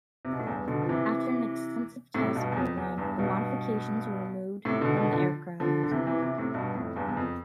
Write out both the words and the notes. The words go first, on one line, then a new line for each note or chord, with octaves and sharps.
After an extensive test program, the modifications were removed from the aircraft.
C3
B2
A2
E2 G2
B2 D3
F3
C3 E3
A2 C3
G2 B2
E2
F2
E2
E2 G2
G2 B2
A2 C3
B2 D3
B2 D3
D3 F3
D3 F3
D3
C3 E3
C3 E3
C3 E3
A2 C3
G2 B2
F2 A2
E2 G2
E2
F2